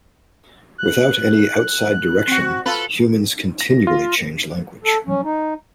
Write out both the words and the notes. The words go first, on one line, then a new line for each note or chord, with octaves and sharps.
Without any outside direction, humans continually change language.
F#6
C4 F#4
F4 A4 B4
A#6
F4
A4
C#4
D#4